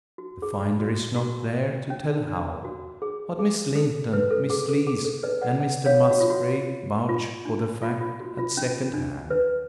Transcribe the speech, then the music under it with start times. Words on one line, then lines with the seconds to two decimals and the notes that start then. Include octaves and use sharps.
The finder is not there to tell how; but Miss Linton, Miss Lees, and Mr Musgrave, vouch for the fact at second hand.
0.18 F#4
0.42 G#4
0.80 F#4
1.16 F#4
1.90 C#4
2.27 D4
2.65 F#4
3.02 G#4
3.39 G#4
3.76 A4
4.13 B4
4.31 A4
4.50 G#4
4.69 A4
4.87 G#4
5.05 A4
5.23 B4 D5
5.42 D5 F#5
5.60 D5 F#5
5.86 C#5 F5
6.11 F#4
6.20 F4
6.30 F#4
7.09 F4
7.45 D4
7.82 F4
8.01 F4
8.20 F#4
8.38 F4
8.57 C#4
8.94 D4
9.30 B4